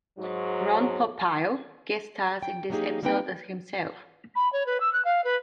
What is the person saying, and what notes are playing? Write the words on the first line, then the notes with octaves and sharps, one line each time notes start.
Ron Popeil guest stars in this episode as himself.
G#2 F#3
G5
F#3 G3 A#3 D#4 G4 G#4
G3 A#3 C4 D#4 B4 G5
B5
C#5
B4
E6
F#6
F5
B4